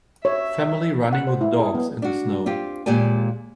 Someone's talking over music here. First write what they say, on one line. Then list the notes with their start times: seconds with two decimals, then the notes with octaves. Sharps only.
Family running with dogs in the snow.
0.25 C#5 E5
1.13 F#5
1.27 C5
1.41 E4
1.59 G#4
1.75 B3
2.02 D4 F#4
2.46 C4 F4 G4
2.86 D#2 A#2 G#3 G4 D5 G#5